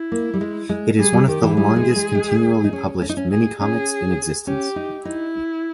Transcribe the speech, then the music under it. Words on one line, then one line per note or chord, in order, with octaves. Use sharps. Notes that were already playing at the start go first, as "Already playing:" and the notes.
It is one of the longest continually published mini comics in existence.
Already playing: E4
A#3
G3
G#3
G#3
G3 G#4
G3
D#3 G4
E3
G3 G#4
G#3
G#3
G#3
D#4
C#4
C#4
D#4
C#4
G#4
C#4 G#4
C#4 G4
D#4
D#4 E4